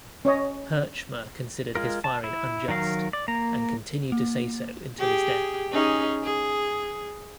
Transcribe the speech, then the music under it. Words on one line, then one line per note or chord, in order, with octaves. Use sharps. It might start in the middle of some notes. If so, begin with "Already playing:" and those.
Herchmer considered his firing unjust, and continued to say so until his death.
C#4 C#5 D#5
G#3 F4 A#4
A5
E4
D#3 F#3 A#4 F5
D5
A#3 A#5
A#3
G4 G#4
C#4 D#4 G#4
G#4